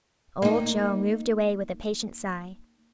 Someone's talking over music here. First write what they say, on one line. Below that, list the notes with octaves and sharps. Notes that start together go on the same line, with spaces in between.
Old Joe moved away with a patient sigh.
A#3 D#4